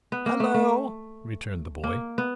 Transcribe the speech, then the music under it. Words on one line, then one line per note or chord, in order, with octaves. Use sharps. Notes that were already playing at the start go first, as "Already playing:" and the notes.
"Hallo!" returned the boy.
B3
A#3
A3
A3
A#3
B3